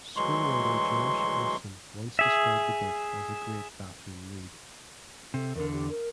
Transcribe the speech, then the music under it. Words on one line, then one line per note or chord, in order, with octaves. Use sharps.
Screenwriter Josh Olson once described the book as "a great bathroom read".
D2 E3 F#3 G#3 C6 C#6
G#4 E5
C3 A4
E2 D3 A#4
G4
A#4